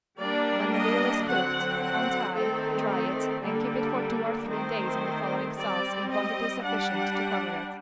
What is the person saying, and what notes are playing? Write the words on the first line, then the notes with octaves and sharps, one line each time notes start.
When the veal is cooked, untie, dry it and keep it for two or three days in the following sauce in quantity sufficient to cover it.
G3 A#3 D4 D5
D#5
D3 F#3 C4 F#5
F#5
D#3 A3 C4 A4
A4
D3 G3 A#3 D4 A4
D#3 A3 C4 C5
G3 C4 D5
D#5
G3 D4 F#5